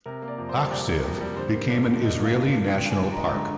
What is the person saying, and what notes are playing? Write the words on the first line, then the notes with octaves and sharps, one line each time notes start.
Achziv became an Israeli national park.
C3 A#4
A#3
D5
F2
C5
G3
C3 D5
A#3
F2
G3
D3 C5
A#3
G2 D5
F3
D3 D#5
A#3
F5
G2
F3 F5
D3 G5
G2 G#5
G2
A#5
G#3
D3 A#5